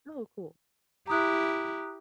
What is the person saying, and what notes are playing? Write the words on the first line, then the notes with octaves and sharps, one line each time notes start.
Oh, cool.
E4 G4 A#5 D#6 F#6